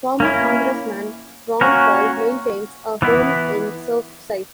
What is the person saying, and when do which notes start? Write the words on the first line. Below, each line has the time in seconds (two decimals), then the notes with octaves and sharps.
Former Congressman Ron Paul maintains a home in Surfside.
0.20 A#3 C#4 E4
1.61 A#3 C#4 F#4 A#4
3.02 E3 B3 E4